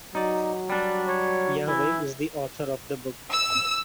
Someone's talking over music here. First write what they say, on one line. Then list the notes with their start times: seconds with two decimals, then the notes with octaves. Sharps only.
Yahweh is the author of the book.
0.15 F#3 D#4 D5
0.70 G3 D4
1.08 C#5
1.68 E3 E4
3.32 E6